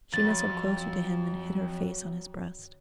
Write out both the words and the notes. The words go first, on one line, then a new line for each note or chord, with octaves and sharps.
She nestled closer to him and hid her face on his breast.
F2 F#3 A6